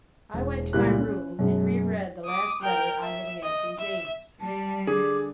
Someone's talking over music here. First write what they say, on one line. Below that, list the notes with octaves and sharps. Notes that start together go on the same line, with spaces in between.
I went to my room and re-read the last letter I had had from James.
E1
C#2 A#2 G3 A#3 E4 F#6
C#4
F#2 B2 G#3 C#4
D6 D#6
A#4 G5
E5
D#5
E5
G3 A5
D3 G#4 D6